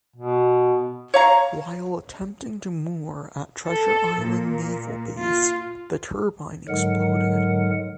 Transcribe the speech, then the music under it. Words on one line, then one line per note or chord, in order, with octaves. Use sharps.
While attempting to moor at Treasure Island Naval Base, the turbine exploded.
B2
C#5 F5 A#5
A4
A#2
F4
G#2 D3 F#3 G#3 A#4 F#5